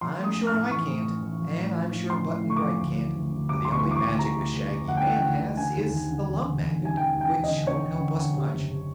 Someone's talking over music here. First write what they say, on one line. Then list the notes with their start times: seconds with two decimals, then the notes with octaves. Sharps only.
"I'm sure I can't; and I'm sure Button-Bright can't; and the only magic the shaggy man has is the Love Magnet, which won't help us much."
0.01 F3 C6
0.18 A3
0.24 D#6
0.36 A3
0.47 F6
0.53 A2
0.71 A1 C#6
0.88 A2
1.05 A1
1.23 A1
1.40 F3
1.57 A2
1.75 F3
1.93 A2
2.10 F3 C6
2.27 A2
2.44 A3
2.50 C#6
2.56 D6
2.62 F3
2.80 D2
2.96 E3
3.15 D2
3.32 D2
3.49 C3 D6
3.65 D2 C6
3.72 C#6
3.84 E3
3.91 D6
3.96 C#6
4.02 D2
4.19 C3 A#5
4.36 D2
4.53 C3
4.71 C3
4.88 D2 F#5
4.97 G5
5.06 E3 F#5
5.15 G5
5.23 D2 F#5
5.40 E3
5.57 D3 G#5
5.76 D#2
5.92 D#2
6.10 D3
6.27 E1
6.44 D3
6.62 E1
6.80 D#2
6.85 G#5
6.97 E1 G5
7.15 D#2
7.21 G5
7.32 E1
7.44 D#5
7.49 D3
7.67 D3 C#5
7.84 E1
8.01 D3
8.19 D3
8.37 C3
8.54 F#1
8.71 C3